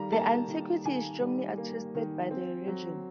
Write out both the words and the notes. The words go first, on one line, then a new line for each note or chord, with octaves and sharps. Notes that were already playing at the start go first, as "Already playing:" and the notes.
Their antiquity is strongly attested by their religion.
Already playing: D#3 G3 A#5
A#3 A5
A#5
A5
D#3
D#3 G#5
G3
A#3
D#3
C4
F#3